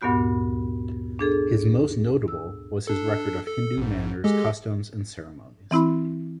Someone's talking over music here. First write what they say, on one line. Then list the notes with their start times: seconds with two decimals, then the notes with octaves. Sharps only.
His most notable was his record of "Hindu manners, customs and ceremonies".
0.01 D2 G2 A#2 B3 F#4 G6
1.19 D4 G#4 A4
2.28 E6
2.87 D4 A4
3.47 A4
3.77 A#1 G#2
4.24 G#3 G4 A4 D#5
5.71 E3 C4 E4 B5